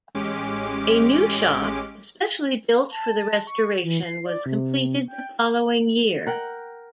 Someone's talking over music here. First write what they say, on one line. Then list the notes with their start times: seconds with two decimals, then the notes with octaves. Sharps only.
A new shop, especially built for the restoration, was completed the following year.
0.15 A1 G#3 C#4 G4 D6
2.91 A5
3.47 C#6
3.84 E3
4.03 C7
4.26 D5
4.46 C3
5.08 G5
6.27 A#4 F#5 G5